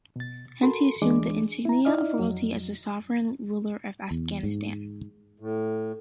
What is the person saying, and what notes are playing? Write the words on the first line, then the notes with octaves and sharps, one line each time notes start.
Hence he "assumed the insignia of royalty" as the "sovereign ruler of Afghanistan".
B2 A6
F#4 A4 A#4 B5 C6
D2 E3 G#3 D4 D6
E4 A#5
D#4 E4 D5 D#5 F6
F2 F#3
E2
G#2
A2